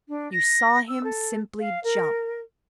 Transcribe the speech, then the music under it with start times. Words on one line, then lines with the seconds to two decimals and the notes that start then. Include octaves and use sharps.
You saw him simply jump.
0.08 D4
0.32 A#6
0.88 E6
1.03 A4
1.60 F5
1.83 A#4